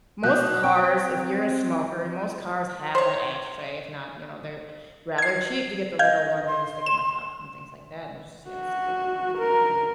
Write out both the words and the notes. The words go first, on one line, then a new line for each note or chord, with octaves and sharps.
most cars, if you're a smoker, most cars have that ashtray. If not, you know, they're rather cheap to get the little ones that you stick in the cup and things like that and just see how the cigarette butts rip that thing
B2 F#3 F#6 G6
C4 G5
C5 C#5
G#6 C7
D#5 F5 G6 G#6
C6
E7
F#4
A#4